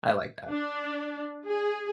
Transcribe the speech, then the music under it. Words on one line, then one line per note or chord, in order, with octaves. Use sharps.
I like that.
D4
G#4